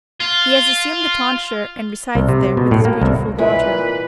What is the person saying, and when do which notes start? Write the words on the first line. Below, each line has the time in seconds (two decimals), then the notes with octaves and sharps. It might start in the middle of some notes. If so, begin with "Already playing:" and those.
He has assumed the tonsure, and resides there with his beautiful daughter.
0.20 F4
2.15 C2
2.29 C3
2.57 B2
2.71 A2
2.85 A#3
3.01 C2
3.38 A#2 E3 A#4 B4 D#5 E5